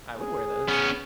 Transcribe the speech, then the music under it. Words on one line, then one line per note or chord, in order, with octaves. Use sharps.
I would wear those.
G#4
B3 C#4